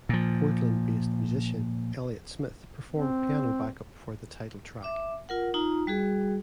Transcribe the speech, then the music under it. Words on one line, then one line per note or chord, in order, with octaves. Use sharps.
Portland-based musician Elliott Smith performed piano backup for the title track.
A#2 F3
C4
E5 D6
F4 A#4 F#5
D#4 F4 A#5
G3 F#4 G#4